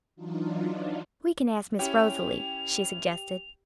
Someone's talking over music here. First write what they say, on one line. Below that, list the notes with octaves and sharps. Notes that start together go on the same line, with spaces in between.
"We can ask Miss Rosalie," she suggested.
E3 F#3 D4 D#4 F4
C#4 E4 G4 C#5 F7